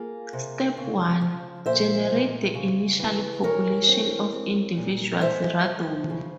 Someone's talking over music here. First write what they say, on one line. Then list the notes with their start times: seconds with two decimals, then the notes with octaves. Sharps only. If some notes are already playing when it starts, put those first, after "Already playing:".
Step One: Generate the initial population of individuals randomly.
Already playing: A#3 F4 G#4
0.33 C3
0.77 C#3
1.21 F3
1.66 A#2 C5 E5
2.10 A#2
2.54 C#3
2.99 E3
3.44 E3 A#4 C#5
3.88 C4
4.32 C4
4.77 A#2
5.20 G#3 C5 E5
5.65 F3
6.10 C#3